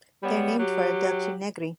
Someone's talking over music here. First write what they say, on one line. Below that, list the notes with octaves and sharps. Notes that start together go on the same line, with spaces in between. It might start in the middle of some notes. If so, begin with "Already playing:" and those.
They are named for Adelchi Negri.
G3 B3 C#5
F#3 G4